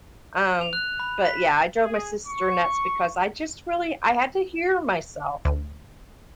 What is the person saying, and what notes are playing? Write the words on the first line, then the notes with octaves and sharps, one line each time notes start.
Um, but yeah, I drove my sister nuts because I just really I had to hear myself
F7
F#6
B5
B6
G#4
C#6
D2